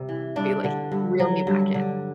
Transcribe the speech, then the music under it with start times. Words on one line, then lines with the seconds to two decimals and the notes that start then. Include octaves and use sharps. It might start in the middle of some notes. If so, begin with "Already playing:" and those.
be, like, reel me back in.
Already playing: C3 G3
0.09 E3
0.36 G2 D4
0.64 D3
0.92 G2
1.19 F#3
1.47 G2
1.74 D3